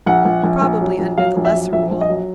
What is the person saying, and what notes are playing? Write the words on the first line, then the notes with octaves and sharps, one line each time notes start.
"Probably under the Lesser Rule."
A#1 F#5
A#1
A#1
A#1
F#3
A#1
F#3 F5
A#1
E5
F#3
A#1 E5
A#1
D#5
F#3